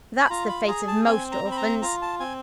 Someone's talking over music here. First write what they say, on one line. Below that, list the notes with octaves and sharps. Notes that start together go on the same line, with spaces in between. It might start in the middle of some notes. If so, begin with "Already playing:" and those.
That's the fate of most orphans.
B5
F4 A#5
B5
G#4 A#5
A5
C4 G#5
A#5
C4
B5
A#5
F4 A#5
A5
C4 G#5